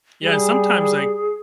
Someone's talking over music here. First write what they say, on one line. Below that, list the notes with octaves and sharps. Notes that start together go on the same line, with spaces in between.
Yeah, and sometimes, like,
G3 G#4